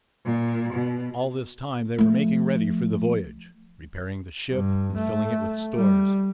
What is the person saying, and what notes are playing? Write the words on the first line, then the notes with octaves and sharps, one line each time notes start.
All this time they were making ready for the voyage, repairing the ship and filling it with stores.
A#2
B2
F3 A3
G2
A3
G3